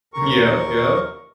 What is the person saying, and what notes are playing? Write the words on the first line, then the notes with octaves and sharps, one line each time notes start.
Mhm, yep, yep.
D#2 A#4 C#6